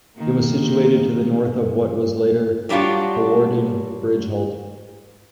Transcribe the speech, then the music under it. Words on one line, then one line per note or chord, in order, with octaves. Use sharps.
It was situated to the north of what was later Hawarden Bridge Halt.
D#3 A#3
F#3 G3 D4 F4 F#4